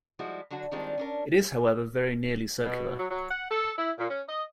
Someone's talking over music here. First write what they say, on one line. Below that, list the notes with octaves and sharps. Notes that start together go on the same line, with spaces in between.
It is, however, very nearly circular.
F3 G3 G#3 E4 F#4
D3 F#3 D4 F#4
D#3 G3 G#3 C4 D4 F4
C#4 D4 A#4
B2
F#3
F#3
F#5
A4
E4
A#2
C#4
D#5